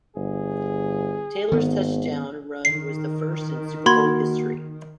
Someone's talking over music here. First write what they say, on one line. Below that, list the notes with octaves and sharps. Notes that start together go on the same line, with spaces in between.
Taylor's touchdown run was the first in Super Bowl history.
G1 G#4
G#1 D#3 B3
D#3 C7
A#3 F#4 B5 C6 G#6